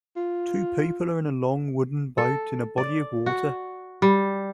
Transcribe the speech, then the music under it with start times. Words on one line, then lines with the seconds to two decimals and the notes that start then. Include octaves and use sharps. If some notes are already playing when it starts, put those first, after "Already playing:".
Two people are in a long wooden boat in a body of water.
0.16 F4
2.18 A4
2.78 D5
3.26 F#4
4.02 G3